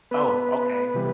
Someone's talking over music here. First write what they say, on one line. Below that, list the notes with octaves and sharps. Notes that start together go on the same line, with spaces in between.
Oh, okay.
B3 B4
C3 E3 G3